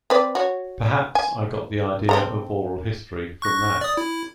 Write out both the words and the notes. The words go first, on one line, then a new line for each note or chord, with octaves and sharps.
Perhaps I got the idea of oral history from that.
C4 B4 D5
F#4 C#5
G#5
C4 A4 A#5
C#6 F#6 A#6
D5 D#6
E4